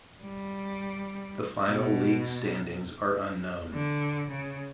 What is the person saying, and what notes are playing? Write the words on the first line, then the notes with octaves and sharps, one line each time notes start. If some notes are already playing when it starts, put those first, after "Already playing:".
The final league standings are unknown.
G3
B2
D3
C#3